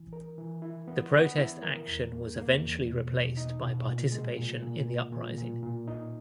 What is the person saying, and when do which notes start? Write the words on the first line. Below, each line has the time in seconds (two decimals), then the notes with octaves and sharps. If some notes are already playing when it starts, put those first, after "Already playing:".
The protest action was eventually replaced by participation in the uprising.
Already playing: E3
0.13 A#4
0.38 E3
0.62 E4
0.88 B3
1.12 B3
1.38 E4
1.63 A#4
1.88 E2
2.12 A#3
2.38 A#3
2.62 E2
2.87 B2
3.12 B2
3.37 D#4
3.62 B2
3.87 A#2
4.12 G#3
4.38 A#2
4.62 A#2
4.87 A#2
5.13 A#2
5.38 A#2
5.63 A#2
5.88 D#4